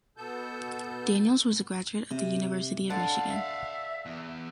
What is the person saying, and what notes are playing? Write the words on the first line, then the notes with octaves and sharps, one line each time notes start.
Daniels was a graduate of the University of Michigan.
B2 B3 A4 A5 G6
C3
D3 F5 F#5 A5
E5
E2